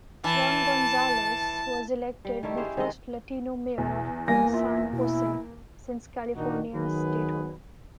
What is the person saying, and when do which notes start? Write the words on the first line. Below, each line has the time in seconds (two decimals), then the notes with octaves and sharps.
Ron Gonzales was elected the first Latino Mayor of San Jose since California's Statehood.
0.24 E3 A5
2.25 G3
2.43 D#3 G3 A3 E4
2.57 C#4 G4 G#4 C5
2.77 D#3 G#3 D#5
3.78 E2 B2
4.28 G3 A#3 G#5 A#6
4.54 F4 E5
4.93 B2 E4
6.35 A#2 D#3 D4 D#4 F#4
6.73 D#3 F#3 B3 G#4 B4